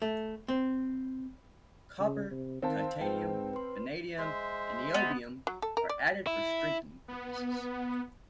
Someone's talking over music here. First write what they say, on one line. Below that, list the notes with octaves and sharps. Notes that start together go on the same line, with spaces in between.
Copper, titanium, vanadium, and niobium are added for strengthening purposes.
A3
C4
C#3
C3
D#3 C4 C5 F5 A5
G#2 B4 G5
B4 C6
G#3 C5 E5
B3
F#3
A4
A#4
D5
E4
B3